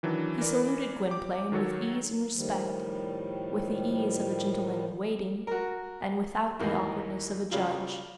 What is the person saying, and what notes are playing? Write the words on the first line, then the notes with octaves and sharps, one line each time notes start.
He saluted Gwynplaine with ease and respect--with the ease of a gentleman-in-waiting, and without the awkwardness of a judge.
D#3 E3 F#3 D4
E3 A#4 D5
G4 D6
D#3 F#3 F#4 A4 C#5
A2 D#3 F3 G3
F#4 A#4
D#2 G#2 E3 A#3
C#3 F#3 G3 F4